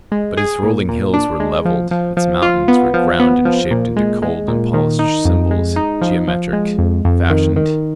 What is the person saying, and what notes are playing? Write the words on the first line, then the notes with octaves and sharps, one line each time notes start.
But its rolling hills were leveled, its mountains were ground and shaped into cold and polished symbols--geometric, fashioned.
G#3
G#4
A#2
A#2
D4
G#3
F3
F3
F3
F4
B3
F3
B3
F3
A#2
G#3
G#3
A#2
D#3
D#4
F2
G#3
D#4
F3
F3
G#3
F2
F2
D#3
D#3